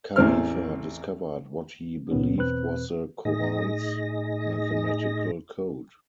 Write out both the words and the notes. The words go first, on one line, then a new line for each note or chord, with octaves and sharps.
Khalifa discovered what he believed was the Qur'an's mathematical code.
A1 E2 C4 F6
C#2 A#2 B3 C#4
E2 B2 C4 B4 F#6
A2 D#4 G#4 D#5 A#6